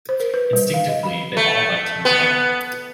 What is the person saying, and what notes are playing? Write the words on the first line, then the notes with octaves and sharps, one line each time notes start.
Instinctively, they all left him alone.
C5
A#4
B4
G3
F5
D#5
B5
A3
B3